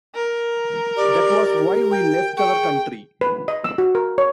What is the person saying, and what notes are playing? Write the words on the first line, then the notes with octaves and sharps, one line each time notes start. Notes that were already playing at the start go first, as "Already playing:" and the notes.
That was why we left our country.
A#4
G4 D5
G5
G#4 G5 C#6
B4
D#5
E6
F#4
A#4
C#5